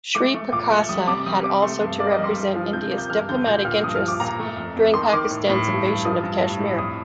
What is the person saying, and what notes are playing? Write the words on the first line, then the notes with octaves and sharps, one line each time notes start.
Sri Prakasa had also to represent India's diplomatic interests during Pakistan's invasion of Kashmir.
A3 D6
A3
A#2 D6
A3
G3 D#6
C3 D6
G3 D#6
C3 D6
A3 C6
G2
A#3 D5
D#5
G3
C6
G2
F3
C3 G6
A#3
G6
G2 F6
D3 G6
A#2 G6
A#2 F6
G2 D#6
F6
F3
D6
A#2 A#5
A3
F2
F2
D#3 C6
D#3 D6
A2
A2
G2
G2
F3 D#6
G2
A2
A2
F2 D#6